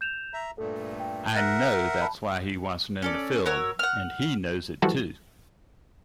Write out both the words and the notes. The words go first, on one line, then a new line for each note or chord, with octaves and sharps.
I know that's why he wasn't in the film, and he knows it too.
G6 E7 F7
E5 A#5
G2 A#2 A3 A4
G5
A#4 E5 F#5 F#6 A#6
A5 B5
C#4 A4 D5
F#4 A#4 C#5 E6
F#5 F6
E3 F3 G3 A3 F#4 A4